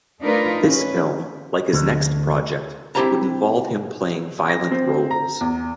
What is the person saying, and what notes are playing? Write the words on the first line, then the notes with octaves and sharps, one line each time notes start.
This film, like his next project, would involve him playing violent roles.
A3 D4 D#4 F4 A#4 B4
C#4 B4
D2
C4 E4 G4 C5 A5 A#5
A#6
C4
A#5
E2